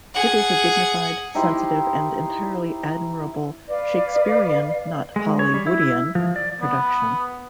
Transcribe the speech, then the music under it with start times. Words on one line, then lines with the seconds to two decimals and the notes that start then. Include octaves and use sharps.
It is a dignified, sensitive and entirely admirable Shakespearean-not Hollywoodean-production.
0.14 G#4 F#5
1.35 D#4 E4 G4 C5
3.69 B4 D5 F5
5.16 G#3
5.39 C#5
5.54 G3
5.67 E4
6.15 F3
6.36 D5
6.61 B3